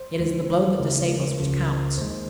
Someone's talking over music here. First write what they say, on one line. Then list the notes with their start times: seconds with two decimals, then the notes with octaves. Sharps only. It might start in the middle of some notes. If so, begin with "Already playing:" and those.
It is the blow that disables which counts.
Already playing: C5
0.19 D#2 D#3 G#3
0.78 D#2 C#3 G#3 A#4
1.38 C#2 C#3 F3
1.98 D#2 D#3 G#3 C5